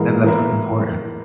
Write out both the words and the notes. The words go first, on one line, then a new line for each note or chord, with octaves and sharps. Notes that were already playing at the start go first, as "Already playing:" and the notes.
And that's what's important.
Already playing: G#2 E3 A#3 E4 G#4
E3 A#3 E4